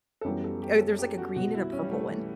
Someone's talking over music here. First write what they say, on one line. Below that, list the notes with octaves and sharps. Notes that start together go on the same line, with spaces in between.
uh, there's like a green and a purple one.
A4
F#2 E3 G3 B3 G4
A4
G4
A4
G4
F#4
B1 B2 G3 B3 F#4
E4
C#4
G3
A3
E3